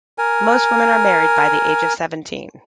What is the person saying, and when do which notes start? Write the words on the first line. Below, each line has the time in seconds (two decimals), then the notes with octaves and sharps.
Most women are married by the age of seventeen.
0.18 A#4 G#5